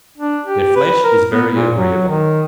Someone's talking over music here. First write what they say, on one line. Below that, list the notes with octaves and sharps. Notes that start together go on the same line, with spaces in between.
Their flesh is very agreeable.
D4
G4
B4
A#4
B3
A#2
F#3
D#3